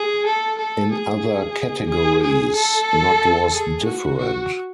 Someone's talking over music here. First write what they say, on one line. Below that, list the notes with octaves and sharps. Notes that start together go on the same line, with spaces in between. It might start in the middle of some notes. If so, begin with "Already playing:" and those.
In other categories not was different.
Already playing: G#4
A4
A4
G#4
G#4
G#4
A4
G#4
F#4
F#4